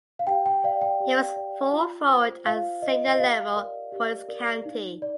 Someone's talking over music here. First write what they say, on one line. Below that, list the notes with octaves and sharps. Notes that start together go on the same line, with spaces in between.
He was full forward at senior level for his county.
F5
G4 G5
G5
D5 F5
G5
G4
D5
F4
C5
F4 F5
C5 D#5
D#5
G4 F5
A#4 D5
G4
A#4 D5
D#4
D5